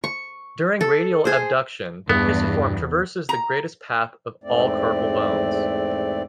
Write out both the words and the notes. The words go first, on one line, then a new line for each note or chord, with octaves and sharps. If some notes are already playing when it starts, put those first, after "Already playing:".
During radial abduction the pisiform traverses the greatest path of all carpal bones.
C#6
A4
G#4 C5
E2 G2 B3
A#5
E2 G#2 A3 C4 D5